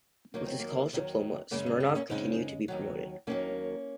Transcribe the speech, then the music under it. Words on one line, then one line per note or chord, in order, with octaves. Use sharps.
With his college diploma, Smirnov continued to be promoted.
D#2 D#3 F#3 A#3
C4
A#3
D#2 D#3 F#3
F#2 C#3 G#3 A#3
A#3
C4
A#3 C#4
F#2 C#3 G#3 C4 D#4
D#2 D#3 F#3
D#2 D#3 F#3 A#3 C#4